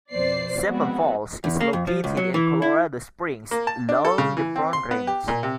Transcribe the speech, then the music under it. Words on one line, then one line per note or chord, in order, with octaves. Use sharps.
Seven Falls is located in Colorado Springs along the Front Range.
F2 B2 C5 D5 C7
F3 G#3 B3 C4 F#4
E2
A#3
F2
F3
C#2
F#3
E3
E4
A#3
A5
D4
A4
C#3
E3
C4
C6
B3
G4
A#2
C3